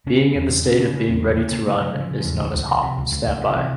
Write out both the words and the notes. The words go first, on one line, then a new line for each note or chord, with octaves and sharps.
Being in the state of being ready to run is known as hot standby.
C#3 C#4
C#3
B3
E2 C4
C#3
C#3 C#4
C#3 D4
C#3 C#4
E2 C4
C#3 A#3
C#3 A#3
C#3 A#3
C#3 A3
C#3 F#3
C#3
F3
C#3
E2 F3
C#2
C#2
C3
C3
C#2
C#2
C#2
C3
C3 E3